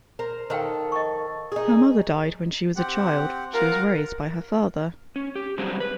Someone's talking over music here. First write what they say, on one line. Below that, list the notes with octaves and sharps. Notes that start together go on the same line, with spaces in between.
Her mother died when she was a child; she was raised by her father.
A#4 C5 A#5
D#3 A4 C5 F5 G5
D#5 C#6
D#4 G#4
C4 G4 F#5
F4 A#4 F5 F#5
C#4
G4
F#3 G3 C4 D4 G#4 C5
B4